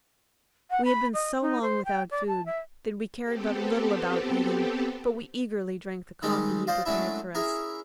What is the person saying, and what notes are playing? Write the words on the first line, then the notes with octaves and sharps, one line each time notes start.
We had been so long without food that we cared but little about eating, but we eagerly drank the coffee he prepared for us.
F#5
B5
D#5
D#4
C5
G5
D5
A5
E5
B3 C4 G4 A4
D#3 G3 G#3 C4 C#4
F4 C5 D5 D#5 F5
F#3 G#3 A3 C#4 D4 E4
C#4 E4 G#4 A#4